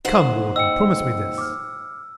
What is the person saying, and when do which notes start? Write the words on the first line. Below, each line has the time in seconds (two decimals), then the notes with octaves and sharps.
Come, warden, promise me this.
0.05 D#2 C5 F#5
0.56 D#5 G5 E6 C#7
1.38 D6 F6